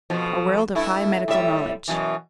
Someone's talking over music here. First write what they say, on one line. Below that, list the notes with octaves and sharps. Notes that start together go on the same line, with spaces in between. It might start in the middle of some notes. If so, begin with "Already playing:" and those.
A World of High Medical Knowledge.
F2 B2 F3
G2 A3 E4
A2 G3 E5
F#2 B2 E3